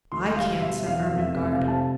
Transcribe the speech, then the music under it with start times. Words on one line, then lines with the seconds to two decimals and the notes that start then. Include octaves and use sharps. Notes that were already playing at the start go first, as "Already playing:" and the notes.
"I can't," said Ermengarde.
0.12 D2 C6
0.36 G3 F5
0.61 B2 E5
0.86 E2 F5
1.02 E5
1.11 F1
1.19 E5
1.35 F1 E5
1.52 F5
1.60 C3
1.68 A5